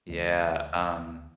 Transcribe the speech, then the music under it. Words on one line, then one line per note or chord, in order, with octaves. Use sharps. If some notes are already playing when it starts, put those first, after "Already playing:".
Yeah, um
D2